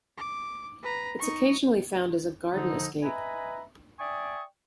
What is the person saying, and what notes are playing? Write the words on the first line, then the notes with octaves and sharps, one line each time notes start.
It's occasionally found as a garden escape.
D6
B4 A#5
D#4 C#6
D3 F3 D#4
B4 D#5 E5 G#5 A#5 B5
D5 E5 G5 G#5 C#6 D#6